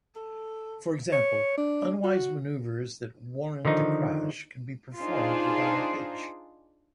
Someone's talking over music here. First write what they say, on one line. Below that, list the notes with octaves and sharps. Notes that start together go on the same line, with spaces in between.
For example, unwise maneuvres that warrant a crash can be performed without a hitch.
A4
C#5
D4
F#4
D3 D#3 F3 D#4
D4 D#4 F4 G#4 C5